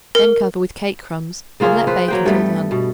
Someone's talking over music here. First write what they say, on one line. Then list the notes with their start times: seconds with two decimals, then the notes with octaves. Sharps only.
Then cover with cake-crumbs and let bake until done.
0.15 A#4
1.60 C#3 A#3 F4 G#4
1.87 F3 B4 C5
2.08 F#3 A#3 G5
2.25 G2 G3 A3 B3
2.71 B2